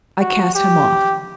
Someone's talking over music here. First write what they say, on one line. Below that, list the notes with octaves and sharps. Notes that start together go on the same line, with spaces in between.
I cast him off.
F#4
G4